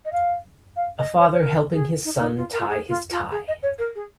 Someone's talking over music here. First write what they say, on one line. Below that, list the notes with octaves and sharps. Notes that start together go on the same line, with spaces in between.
A father helping his son tie his tie.
D#5
F5
F5
D#5
C#5
C#5
A#4
G#4
D#4
D#4
F4
A#4
F4
G#4
F4
F4
G#4
D#5
C#5
A#4
G#4